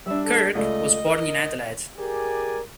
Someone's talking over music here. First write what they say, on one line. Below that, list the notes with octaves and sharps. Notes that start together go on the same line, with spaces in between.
Kirk was born in Adelaide.
G3 D4 E5
A4
C#2 A3 D5 D#5
A#4
G4 G#4 A#4 D5 G#5